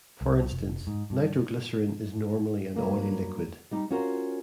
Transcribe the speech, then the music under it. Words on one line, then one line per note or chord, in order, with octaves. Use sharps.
For instance, nitroglycerin is normally an oily liquid.
C2
F1
G#2
G2
G2 F#3 A#3
G3 D#4 G4
C#4 F4 F#4 A#4 C5